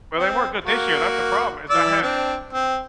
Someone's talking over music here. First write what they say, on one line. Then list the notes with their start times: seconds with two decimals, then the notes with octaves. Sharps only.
Well, they weren't good this year, and that's the problem is I had
0.17 C4
0.64 A#3 F#4
1.70 E3 D5 E6
2.02 C4 D4
2.53 C4